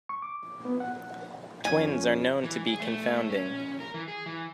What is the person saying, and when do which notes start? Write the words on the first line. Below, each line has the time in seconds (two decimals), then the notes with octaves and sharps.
Twins are known to be confounding.
0.09 C#6
0.22 D6
0.65 B3
0.80 F#5
1.65 F2 C#4 G#5
2.44 E3
2.67 G#4
2.80 A3
3.30 C#4
3.80 A#4
3.94 E3
4.08 G#4
4.26 E3